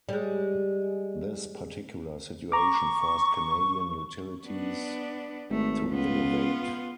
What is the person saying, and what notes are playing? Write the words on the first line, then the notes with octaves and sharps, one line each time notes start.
This particular situation forced Canadian utilities to innovate.
G3 G#3
A#5 C#6 D6
B3 D4
G#1 A3
C#2 B3 F4